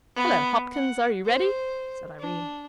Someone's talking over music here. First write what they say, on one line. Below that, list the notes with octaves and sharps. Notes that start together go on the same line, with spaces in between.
"Hullo, Hopkins, are you ready," said Irene.
B3
F#5
C5
D4